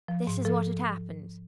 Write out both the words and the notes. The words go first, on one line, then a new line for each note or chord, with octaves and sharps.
This is what had happened.
F3
G#2
F3 A4